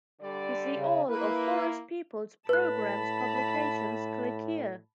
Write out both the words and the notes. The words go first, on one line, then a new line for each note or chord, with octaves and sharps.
To see all of Forest Peoples Programme's publications click here.
D3 G3 D5
C#3
A#3 E4 B4
A2 B4 A5 B5 F#6